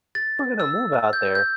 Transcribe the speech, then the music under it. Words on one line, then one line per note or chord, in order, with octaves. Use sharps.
we’re gonna move out there.
A6
E6
G6
G6